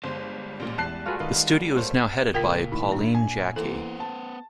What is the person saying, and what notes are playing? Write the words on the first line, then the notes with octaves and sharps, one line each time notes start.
The studio is now headed by Pauline Jacquey.
G1 G3 G#3 C5
A1 A#2
E2 A5 F#6 C7
A3 F4 F#4 G#4 B4 F5
D#3 B4 D#5 F5
A3 A#3 C5 C#5
C#2 A#2 F4 A#4 G5 B6
A2 D#3 B5
D4
G#5
E3 A#3 B3 A4 C5
A5